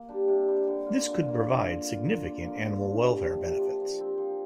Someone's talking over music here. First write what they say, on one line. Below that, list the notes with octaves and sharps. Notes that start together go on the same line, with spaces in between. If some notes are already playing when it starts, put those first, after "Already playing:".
This could provide significant animal welfare benefits.
Already playing: A#3
G3 D4 G4
C3
G3 D4 G4
D3
A#3 F4
D3
A#3 F4
D3
A#3 F4
D3
A#3 F4
D3
F3 A#3 F4
D3
F3 A#3 F4
C3
F3 D4 G4
C3
F3 D4 G4
F3
C4 G4
F3